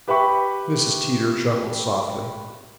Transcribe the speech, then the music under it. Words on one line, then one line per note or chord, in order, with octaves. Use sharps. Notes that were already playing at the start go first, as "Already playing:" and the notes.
Mrs. Teeter chuckled softly.
G4 B4 E5 G5 B5 C#6